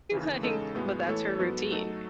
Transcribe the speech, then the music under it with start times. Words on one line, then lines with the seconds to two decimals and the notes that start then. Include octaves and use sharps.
Like" but that's her routine.
0.11 D#2 C#3 E3
0.43 E2 C#3 G#3 D#4 A4
0.75 A2 G#3 B3 F#4
1.07 E3 A3 E4 A4 C#5
1.39 G#2 F#3 B3 F#4 A4
1.71 F#3 A3 D#4 A4